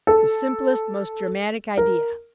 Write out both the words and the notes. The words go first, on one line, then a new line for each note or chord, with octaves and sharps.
The simplest, most dramatic idea.
A4
A#4